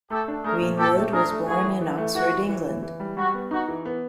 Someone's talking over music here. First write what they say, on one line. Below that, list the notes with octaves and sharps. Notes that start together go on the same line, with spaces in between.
Greenwood was born in Oxford, England.
A3 G4 A4
D4
A3 G#4 A#4
A#2
A#2 G4 A4
A3
D4 G#4 A#4
A3
E3 F#4 G#4
E3
E3
A3
E3 F#4
E3
E3
E3
E3
G3
G3 F#4
B3
D#4 F#4
E3
B3